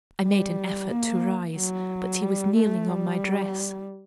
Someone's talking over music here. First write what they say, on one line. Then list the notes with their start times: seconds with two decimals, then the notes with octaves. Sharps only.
I made an effort to rise, but he was kneeling on my dress.
0.23 G3
0.90 A#3
1.56 F#3
2.22 G3
2.55 A3
2.88 G3